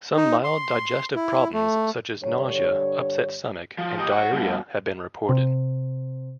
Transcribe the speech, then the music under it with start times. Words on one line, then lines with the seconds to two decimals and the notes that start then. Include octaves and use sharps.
Some mild digestive problems such as nausea, upset stomach, and diarrhea have been reported.
0.16 D#4
0.44 C6
1.16 E4
1.53 A3
2.22 G2 D3 C#5
3.78 F3
3.98 G4 D#5
4.12 C#5 F#5
4.32 G2 B2
5.29 C3